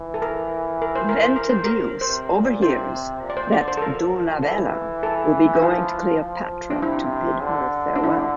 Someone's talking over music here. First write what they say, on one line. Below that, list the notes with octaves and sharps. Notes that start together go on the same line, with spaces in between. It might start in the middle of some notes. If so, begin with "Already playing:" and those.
Ventidius overhears that Dolabella will be going to Cleopatra to bid her farewell.
Already playing: E3
A4
A#4
A#4
C5
A#4
C5
A#4
C5
A#4
C3 C5
A#2
C3 C5
A#2
D5
C5
D3 D5
C5
A4
F3 A#4
E3 A4
A4
E4
F3 F4
F3
D4
C3 E4
D3
D4
E4